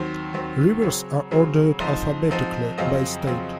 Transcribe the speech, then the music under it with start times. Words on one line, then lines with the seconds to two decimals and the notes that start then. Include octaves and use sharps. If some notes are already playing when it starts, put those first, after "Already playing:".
Rivers are ordered alphabetically, by state.
Already playing: D#2 D#3 F#3 C4 C5
0.33 D#2 D#3 F#3 C4
0.82 C#3 F#3 C4 C#5
1.31 C#3 F#3 C4
1.80 G#2 F3 C4 D#4 C5
2.29 G#2 F3 C4 D#4
2.78 F2 C#3 F#3 C4 F4 D#5
3.27 F2 C#3 F#3 C4 F4